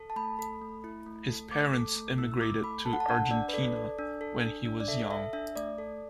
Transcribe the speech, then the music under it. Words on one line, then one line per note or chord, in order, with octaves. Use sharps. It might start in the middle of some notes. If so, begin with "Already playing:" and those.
His parents immigrated to Argentina when he was young.
Already playing: A4
A5
A3 B5
A4
A3
E4
A3
A4
A3 D6
A4
A3
E4 E6
E6
A3 D6
A4 B5
A4 A5
F#5
A5
D4 F#5
D4 D5
B4
A4 D5
A4
D4
A4
D4
D4
D5
A4 E5
A4 E5
D4 E5
A3 D5
A4